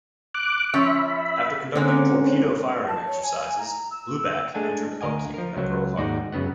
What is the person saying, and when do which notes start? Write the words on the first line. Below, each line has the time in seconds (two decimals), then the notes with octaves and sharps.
After conducting torpedo firing exercises, "Blueback" entered upkeep at Pearl Harbor.
0.35 D6 F#6
0.74 F3 C#4 C#5 E5 B5
1.75 D3 G#3 A#3 C4 C#4
2.88 A5
3.07 C#5
3.23 G#5
3.59 A#5
3.91 E6
4.55 G#3 A3 D4 G#5
5.01 D2 A#4 D#5 G#5
5.34 F3 A#4
5.57 C#2 F#3
5.98 D#2 G#2 D#4 F#4 D5
6.32 F#2 C#3 B3 F#5